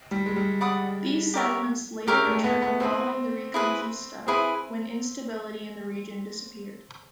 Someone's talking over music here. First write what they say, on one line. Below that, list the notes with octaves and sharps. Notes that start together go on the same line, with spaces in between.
These settlements later returned following the Reconquista, when instability in the region disappeared.
G3
G#3
G3
D5 F#5 B5 D#6
G4 A#4 C#5 E5
G#3 G4 A#4 C#5 E5
A3
B3
B3
C4 E4 G#4 B4
E4 G#4 B4
C4 E4 G#4 B4